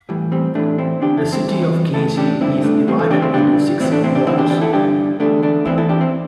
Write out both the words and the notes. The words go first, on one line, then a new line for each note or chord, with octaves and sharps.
The City of Casey is divided into six wards.
A2 E3 G3
G3 C4
A2 E3 A3 D4
C4 E4
E2 D3 D4 G4
E4 A4
C4 E4
E2 E3
A2 E3 E4 A4
D4 G4
G2 D3 C4 E4
A3 D4
A2 E3 G3 C4
A3
D4 G4
C4 E4
G2 D3 D4 G4
A2 E3 C4 E4
A3 D4
C4 E4
D4 G4
E2 D3 C4 E4
D4 G4
D4 G4
E4 A4
G2 D3 D4 G4
E2 D3 A3 D4
A3 D4
E2 E3 C4 E4
E4 A4
D4 G4
C4 E4